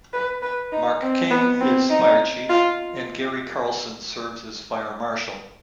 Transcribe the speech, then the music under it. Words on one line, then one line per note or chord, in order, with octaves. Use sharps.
Mark King is Fire Chief and Gary Carlson serves as Fire Marshal.
B4
B4
D#4
C4
B3
C4
D#4
F4